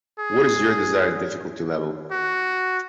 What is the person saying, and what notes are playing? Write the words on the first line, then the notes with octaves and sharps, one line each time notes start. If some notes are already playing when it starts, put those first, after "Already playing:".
What is your desired difficulty level?
G#4
F#4